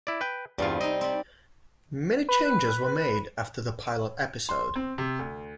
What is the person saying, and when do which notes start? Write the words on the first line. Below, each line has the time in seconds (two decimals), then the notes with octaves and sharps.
Many changes were made after the pilot episode.
0.07 E4 D5
0.21 B4 G5
0.58 E2 G2 C3 G3 F4
0.81 C4 D#4 D#5
1.01 C4 D5 B5
2.29 B4
4.49 C6
4.76 C4
4.98 C3
5.19 D2